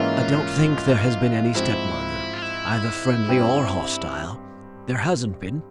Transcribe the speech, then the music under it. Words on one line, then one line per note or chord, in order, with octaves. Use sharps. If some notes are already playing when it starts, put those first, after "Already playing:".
I don't think there has been any stepmother, either friendly or hostile? There hasn't been.
Already playing: G#2 E3 A#3 C#4 E4 F4
G#2 F3 C4 E4
F4
E4
G2 G3 C4 G4